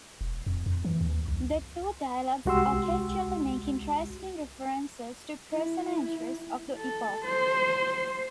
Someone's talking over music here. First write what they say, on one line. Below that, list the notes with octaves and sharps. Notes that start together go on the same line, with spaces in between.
The two dialogues occasionally make interesting references to personages of the epoch.
E1
F2
F2
E3
D#2
C2
C2 G#3 F#4 G4 C6 E6
E4
A4
C5